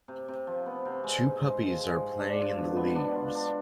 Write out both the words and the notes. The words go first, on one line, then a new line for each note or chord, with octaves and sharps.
Two puppies are playing in the leaves.
C3
C3
F3
B3
C3
G#3
G#2
G#2
F3
G#3
G#2
D4
F4
B2
B3
D4
F4
D4